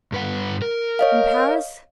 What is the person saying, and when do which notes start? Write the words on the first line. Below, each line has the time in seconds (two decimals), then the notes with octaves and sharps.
In Paris?
0.12 G2 B4 F#5
0.62 A#4
0.99 C#5 D#5 F5